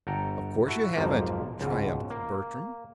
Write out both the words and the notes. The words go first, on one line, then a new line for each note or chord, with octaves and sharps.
"Of course you haven't," triumphed Bertram.
G1 A4 F#5 G5 A#5
E4 F#4 A4 E5
B1 F2 G#2 C3 F3 A#3
C#2 G#2 B2
A#3